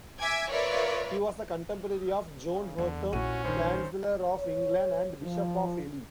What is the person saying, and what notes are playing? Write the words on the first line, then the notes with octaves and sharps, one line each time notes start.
He was a contemporary of John Hotham, Chancellor of England and Bishop of Ely.
E5 G#5 D6 G#6
F4 A#4 B4 C#5 D5 E5
C#3
E2 D3
A#1 C#4 E4 F#4 D#7
G2 D#3 C5
C#5
F3